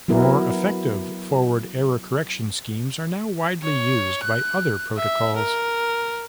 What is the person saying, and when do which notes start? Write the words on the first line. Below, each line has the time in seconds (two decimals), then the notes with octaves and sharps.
More effective forward error correction schemes are now widely used by other protocols.
0.08 F#3 B3 E4 A#4
3.63 C#5
4.23 F#6
4.97 E5
5.36 A#4